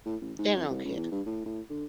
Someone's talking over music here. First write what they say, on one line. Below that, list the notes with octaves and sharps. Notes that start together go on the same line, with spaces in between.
They don't care.
A2
A1
G#2
F2
C2
C#2
E2
G2
A2
A2
D3